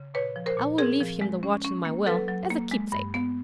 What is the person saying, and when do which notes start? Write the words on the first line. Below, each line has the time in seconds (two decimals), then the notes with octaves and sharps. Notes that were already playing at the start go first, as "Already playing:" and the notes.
"I will leave him the watch in my will, as a keepsake."
Already playing: C#3
0.14 A#2 B4 C#5
0.36 F3
0.46 A#4 C5
0.57 A#2
0.78 C4 G#4 A#4
1.01 F3
1.21 G#3
1.43 C#4
1.65 C#4
1.85 A#3
2.06 F#3 A4 B4
2.28 F#3
2.50 A#3
2.71 G#3
2.92 G2
3.14 B3